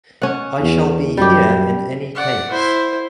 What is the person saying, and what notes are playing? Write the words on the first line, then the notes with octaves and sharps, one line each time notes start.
I shall be here in any case.
C#4 F#5
E2
F#2 G3 G4
D5 F#5
E4 C5